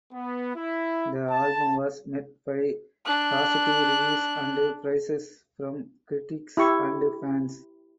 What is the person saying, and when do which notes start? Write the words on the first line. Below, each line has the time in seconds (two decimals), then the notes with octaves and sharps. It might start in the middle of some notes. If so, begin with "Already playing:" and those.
The album was met by positive reviews and praise from critics and fans.
0.12 B3
0.55 E4
1.30 A5
3.06 D4 F#6
6.57 E4 G4 C#6